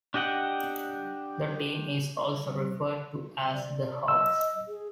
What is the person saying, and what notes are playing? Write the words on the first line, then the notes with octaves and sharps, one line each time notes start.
The team is also referred to as the "Hawks".
D4 G4 D#5 F#5 G5
D5
D#5 E6
G#4